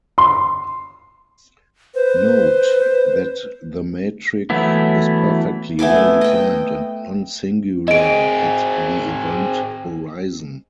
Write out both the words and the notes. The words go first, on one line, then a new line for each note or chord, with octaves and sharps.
Note that the metric is perfectly well defined and non-singular at the event horizon.
C6
B4 C5
E3 F#3 A3 B3 E4
A3 B3 G#5 D6
D#5 G5
C4 G#4 D#5 D7